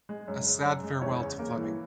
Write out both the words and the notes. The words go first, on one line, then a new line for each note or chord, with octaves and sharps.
A sad farewell to Fleming.
G#3
F#2
C#3
F#2
G#3
E2 C#5
C#3
A#3
E3